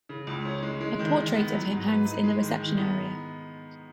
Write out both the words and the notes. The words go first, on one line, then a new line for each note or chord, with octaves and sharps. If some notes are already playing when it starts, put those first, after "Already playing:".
A portrait of him hangs in the reception area.
C#3
C#2
C#4
G#3
G#3
D#3
D#3
B3
F#3
G#2
B4
D#4
G#3
D#3
D#3
B3